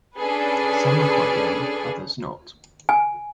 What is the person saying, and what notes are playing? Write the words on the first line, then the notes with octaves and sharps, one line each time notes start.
Some are quite young, others not.
C#4 D4 G#4 A4 B4
G#5